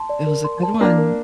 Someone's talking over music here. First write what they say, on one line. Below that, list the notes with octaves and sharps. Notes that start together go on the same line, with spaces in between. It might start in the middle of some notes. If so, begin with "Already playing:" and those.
It was a good one.
Already playing: A5 C6
D5
A#4
C6
A5
A#3 D4 D5
A#4